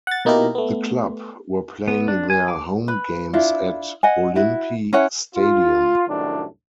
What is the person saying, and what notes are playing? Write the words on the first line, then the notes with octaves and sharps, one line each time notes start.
The club were playing their home games at Olimpi Stadium.
F#5 A6
B2 A#3 D#4 E4 G4 A#4
A3 B3
B3
D4
G#5
D6
B4 B5
D4 E4 F4
D#5 F#5 G#5
E4 F#4
C#4 E4 C#5 F#5
F4
C2 F#2 A2 D#3 D4